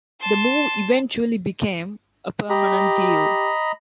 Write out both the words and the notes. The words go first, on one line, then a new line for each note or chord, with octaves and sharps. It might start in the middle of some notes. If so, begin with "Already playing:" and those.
The move eventually became a permanent deal.
A5 C6
G4 D#5 A#5 B5